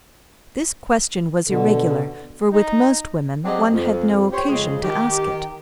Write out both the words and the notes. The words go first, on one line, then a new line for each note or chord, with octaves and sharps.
This question was irregular, for with most women one had no occasion to ask it.
B2 D3
D#4
F#3 C4 D4 G4 G#4 D#5
F2
G4 C5 C#5
F2 C#3 G#3
D#3 G4